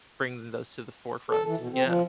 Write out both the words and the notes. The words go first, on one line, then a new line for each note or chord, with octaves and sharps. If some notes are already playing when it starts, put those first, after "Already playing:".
bringing those to the forefront, yeah.
A4
E3
B2
C4
F3